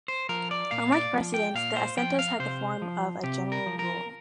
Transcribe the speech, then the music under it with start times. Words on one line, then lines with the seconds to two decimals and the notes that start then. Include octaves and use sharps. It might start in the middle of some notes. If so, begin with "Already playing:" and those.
Unlike precedents, the assentos had the form of a general rule.
0.08 C5
0.29 F3 A#4
0.51 D5
0.71 A#2 F5
0.92 D5
1.14 F3
1.34 G5
1.55 A#2 F5
1.76 C5
1.97 F3 G5
2.19 F5
2.39 C3 C5
2.82 F3
3.23 C3 G4
3.52 A#4
3.66 F3
3.79 A#4